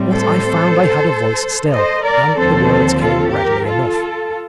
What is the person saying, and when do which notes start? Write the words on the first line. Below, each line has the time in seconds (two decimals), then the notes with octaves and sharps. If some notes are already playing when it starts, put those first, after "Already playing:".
But I found I had a voice still, and the words came readily enough.
Already playing: A2 G3 C4
0.12 A4 C5
1.72 C5 D#5
2.05 A#4 D5
2.37 D#2 D3 F3 C4 A4 C5
3.01 F4 A4
3.34 G4 A#4
3.66 F4 A4